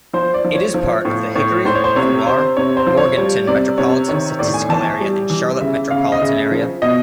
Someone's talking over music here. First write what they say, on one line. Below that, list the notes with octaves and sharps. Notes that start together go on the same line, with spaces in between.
It is part of the Hickory-Lenoir-Morganton Metropolitan Statistical Area and Charlotte Metropolitan Area.
F3 C5
D5
F3
C#5
F3
A2
A2 C#5
A2 C5
C#5
C5
C3 C#5
C3 C5
C3 C#5
C5
F3
C#5
G3 C#5
C3 D5
C3 C#5
D#3 C#5
A2 D5
G#5
E3 A5
G#5
G3
E3
C#3 E5
C#3 F5
D#5
C#3 E5
F3
B2 D#5